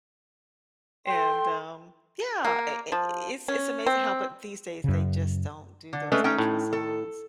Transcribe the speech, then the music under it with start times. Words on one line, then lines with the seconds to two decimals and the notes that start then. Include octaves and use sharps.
and, um, yeah, i i it's it's amazing how but these days, they just don't do those intro songs
1.07 A4 G5 C6
2.44 A#3
2.92 F3
3.48 C#4
3.86 C4
4.84 F#2 C#3
5.93 D3
6.12 G#3 A3 C#4 B4
6.24 C#4 D#4 G5
6.38 A2
6.73 A4